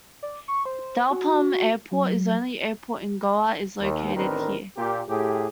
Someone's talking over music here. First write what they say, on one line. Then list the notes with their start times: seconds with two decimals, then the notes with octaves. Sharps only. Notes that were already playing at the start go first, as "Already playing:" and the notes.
Dabolim Airport, the only airport in Goa, is located here.
0.23 D5
0.48 C#6
0.66 C5
1.10 F#4
1.91 F#3
3.81 D#2
4.15 A1 D#3 C4 D4 A#4 B4
4.77 A#2 G4
5.08 A2 G4 G#4